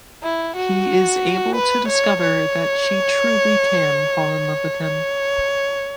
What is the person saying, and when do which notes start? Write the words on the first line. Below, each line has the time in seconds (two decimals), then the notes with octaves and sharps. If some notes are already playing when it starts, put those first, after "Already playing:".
He is able to discover that she truly can fall in love with him.
0.23 E4
0.56 F#4
1.55 B4
1.88 C#5
2.21 C#5
4.84 C#5